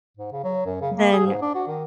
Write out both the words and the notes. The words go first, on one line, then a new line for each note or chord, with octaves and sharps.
then it
G#2
C#3
F#3
F#2
C#3
A#3
G#4
G#2
D4
F#4
D#3